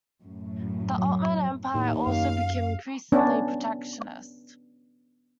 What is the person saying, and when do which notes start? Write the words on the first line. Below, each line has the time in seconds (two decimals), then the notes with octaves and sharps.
The Ottoman Empire also became increasingly protectionist.
0.23 F#2 A2
0.98 F#3
1.74 D#2 A2
2.07 F#2 F5
3.12 B3 C#4 D4